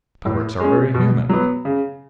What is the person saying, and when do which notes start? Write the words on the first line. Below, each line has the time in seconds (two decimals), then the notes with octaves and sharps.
Parrots are very human.
0.25 A2
0.60 G#3 C#4
0.94 B2
1.29 F#3 B3
1.65 C#3